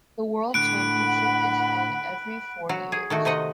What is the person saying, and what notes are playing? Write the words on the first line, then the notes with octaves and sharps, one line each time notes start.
The world championship is held every four years.
A2 D3 F#5 B5 F#6 D7
F#3 F#4
G#4
D#3 A3 F#4
C3 D#4 D#5 F#5